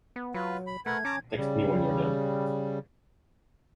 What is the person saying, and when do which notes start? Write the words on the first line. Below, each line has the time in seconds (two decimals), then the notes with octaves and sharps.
Text me when you're done.
0.16 B3
0.34 F#3 F4 B4
0.67 B5
0.86 A3 A#4 B4 F#5 G#6
1.05 C#4 A5 A#5 D6
1.36 C#3 G3